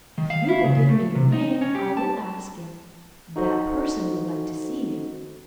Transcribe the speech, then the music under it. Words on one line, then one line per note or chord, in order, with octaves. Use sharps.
"If you will give me your name, I will ask if--that person would like to see you."
D#3
F5
E4
C#3
C#3
A3
C3
D#4
C#4
G4
A5
D#4 F#4 A4 C5